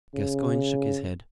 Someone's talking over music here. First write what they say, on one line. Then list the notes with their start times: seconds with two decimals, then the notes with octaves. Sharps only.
Gascoyne shook his head.
0.15 C#3